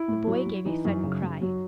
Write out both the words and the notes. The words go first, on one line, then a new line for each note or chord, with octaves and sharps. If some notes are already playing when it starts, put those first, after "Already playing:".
The boy gave a sudden cry.
Already playing: E4
A2
F#3
F#3
E3 D#4
F#2
C#3
F#2
F#3